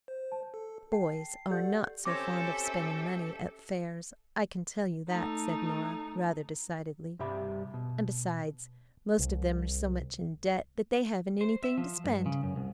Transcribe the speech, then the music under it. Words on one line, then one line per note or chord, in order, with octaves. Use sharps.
"Boys are not so fond of spending money at fairs, I can tell you that," said Nora, rather decidedly, "and besides most of them are so much in debt that they haven't anything to spend."
C5
A5
A4
G5 A5 C7
G4 A4 D5 F#5 G6
C4 C#4 G4 A4 C#5 E5 D6 A#6
A3 D#4
G2 C3 G3 G4 E5 B5
B2
C2
C5
E5
F3
G2
C#3
F#2
C2